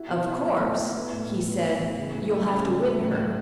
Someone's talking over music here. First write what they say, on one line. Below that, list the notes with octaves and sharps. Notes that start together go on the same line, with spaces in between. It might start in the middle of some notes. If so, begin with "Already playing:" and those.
"Of course," he said, "you'll have to win her."
Already playing: E4 F#4
B2
E4
B2
A3
E4
B3
A2
A2
B3
A2
E3
C#3
A3
A3
C#4
C#3
A3
A2
A3